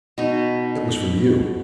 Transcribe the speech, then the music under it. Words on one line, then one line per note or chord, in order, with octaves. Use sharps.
It was from you!
B2 D#4